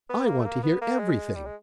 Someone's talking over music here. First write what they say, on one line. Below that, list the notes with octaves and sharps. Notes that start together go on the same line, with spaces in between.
"I want to hear everything."
B3
A#3
A3
A#3
B3
A#3
G#3
G3
G#3